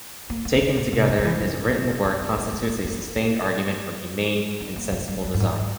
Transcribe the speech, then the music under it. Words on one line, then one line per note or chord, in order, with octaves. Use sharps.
Taken together, his written work constitutes a sustained argument for humane and sensible design.
A#3
A#3
G3
G#3
A#2
C3
C#3
C#3
E3
G3
C4
A#3
C#4
C4
C#4
C4
C4
G#3
G#3
A#3
C4
C#4
C4
A#3
G#3
G3
G3
G2
G#2